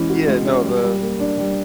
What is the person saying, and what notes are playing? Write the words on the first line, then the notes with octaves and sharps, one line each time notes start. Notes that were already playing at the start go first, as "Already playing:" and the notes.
Yeah, no the
Already playing: E3 G#3 C#4
F#4
G#3
C#4
G3
G3
A#3
D4
G3